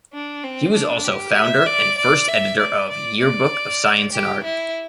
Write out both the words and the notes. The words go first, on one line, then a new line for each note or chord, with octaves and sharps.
He was also founder and first editor of "Year-Book of Science and Art".
D4
C4
D4
G4
E5
D5
D5
E5
D5
D5
D5
G4
E4